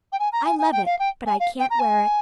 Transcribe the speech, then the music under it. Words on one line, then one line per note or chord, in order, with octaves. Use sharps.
I love it, but I can't wear it.
G5
G#5
A#5
G#5
G#5
G5
F5
G5
G#5
F5
G5
A#5
G#5